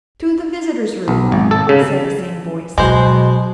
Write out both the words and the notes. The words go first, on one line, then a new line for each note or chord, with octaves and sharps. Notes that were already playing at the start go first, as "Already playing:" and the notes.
"To the visitors' room!" said the same voice.
B1
G#1
A4
C#3
B2 F#3 G#3 C5